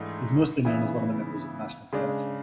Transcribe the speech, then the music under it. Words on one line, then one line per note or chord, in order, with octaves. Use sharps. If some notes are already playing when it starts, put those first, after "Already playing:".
He is mostly known as one of the members of Nationalteatern.
Already playing: G#2 E3 A3 D4
C#3 E3 B3 E4
C#3 G#3 D4